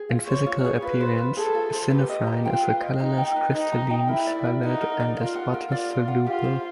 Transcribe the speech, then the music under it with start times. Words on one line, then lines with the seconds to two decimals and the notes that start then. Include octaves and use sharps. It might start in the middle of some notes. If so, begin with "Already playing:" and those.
In physical appearance, synephrine is a colorless, crystalline solid and is water-soluble.
Already playing: G#4
0.09 F4
0.27 C5 C#5
0.46 F4
0.64 G#4
0.82 F4 B4
1.00 C5
1.18 F4
1.37 G#4 A4
1.55 F4
1.73 C5
1.91 G4 B4
2.09 D#5
2.27 A#5
2.45 F4 G5
2.64 B4
2.82 D#5
3.00 D#4 A#5
3.18 G5
3.36 B4
3.54 D#4 D#5
3.72 A#5
3.90 G5
4.08 E4 A#4
4.27 D5
4.45 A#4
4.63 D#4 F#5
4.81 A#4
5.00 D5
5.17 F4 A#4
5.35 F#5
5.54 A#4
5.72 F4 D5
5.90 A#4
6.08 F#5
6.26 F4 G4
6.44 C5